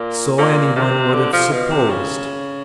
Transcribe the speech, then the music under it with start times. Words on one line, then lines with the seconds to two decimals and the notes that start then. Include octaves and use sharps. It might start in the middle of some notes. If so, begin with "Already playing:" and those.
So any one would have supposed.
Already playing: A#2
0.38 A#2
0.76 C3
1.13 D3
1.33 F3
1.52 B2
1.71 C3
1.90 C#3